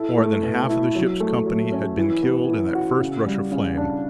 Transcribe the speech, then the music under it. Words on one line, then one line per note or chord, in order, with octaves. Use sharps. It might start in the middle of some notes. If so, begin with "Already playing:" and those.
More than half the ship's company had been killed in that first rush of flame.
Already playing: E4 A4
A3
B2
E4
F#3
A3
F#3
C#4
E3
B3
E3
F#4
C#3
G3
C#3
D4